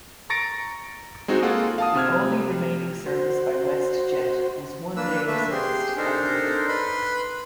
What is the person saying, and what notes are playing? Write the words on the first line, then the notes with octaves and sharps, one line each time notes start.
The only remaining service by WestJet was one daily service to Calgary.
A#5 C#6 A6 A#6 C#7 D7
G#3 C4 D#4 F#4
A#3 F4 G#4 A4 F#5
F5 A5 D#6
C3 C4 F6 G#6
F#4 C5
A#3 D4 B4 E6
A3 A#3 D4 B4 E5
G4 G#4 C6
D4 D#4 A4 A#4 C5
B4 B5 C6